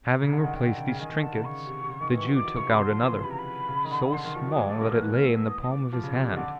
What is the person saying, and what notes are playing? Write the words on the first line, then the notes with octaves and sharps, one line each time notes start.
Having replaced these trinkets, the Jew took out another: so small that it lay in the palm of his hand.
A#5
C#3
D3 F#5
D#3
D3 G5
D3
C#3
C#3
D#3 G#5
D#3
D3 A5
C#3
C#3 C#6
C3
C3
C#3
D#3
E3
F#3
E3 D6
D#3
C#3 C#6
C3 B5
D3 C6
F3
E3
C#3
C3 B5
A#5
B5
C#3
D#3
D3
D3 C6
D#3
F3 C#6
F#3
D#6
G#3 D6
A3 D6
A#3 D6
E3 F6
F#6
F6
E6
E6
D#6
D#6
D6
F3 D6
C#3
C3 D6
D#3
D3 D6